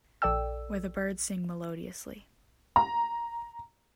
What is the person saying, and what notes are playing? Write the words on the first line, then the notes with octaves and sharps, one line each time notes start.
Where the birds sing melodiously.
A#1 A4 D5 G5 E6
A#5